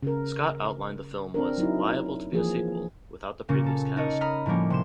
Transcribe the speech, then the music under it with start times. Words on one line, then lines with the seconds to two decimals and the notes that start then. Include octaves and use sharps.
Scott outlined the film was "liable to be a sequel" without the previous cast.
0.03 C#3 A#4
1.34 C4 D4 A#4
1.58 F#3 D#4 E4
2.32 E3 F3 A#3 G#4
3.49 A#2 C#3 A#3 C#4
3.64 A#2 A4
3.96 A#3 D#4 A4 A#4 C#5 D#5
4.21 A#5 B5 D#6 F6 B6
4.46 A2 F3 G3 A#3 C#4
4.70 C3 C6 E7